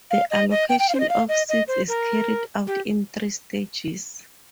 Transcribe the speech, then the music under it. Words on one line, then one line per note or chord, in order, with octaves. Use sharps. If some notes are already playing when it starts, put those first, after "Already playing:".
The allocation of seats is carried out in three stages.
F5
D#5
D#5
G5
G5
F5
C5
D#5
F5
D#5
D#5
C5
A#4
G4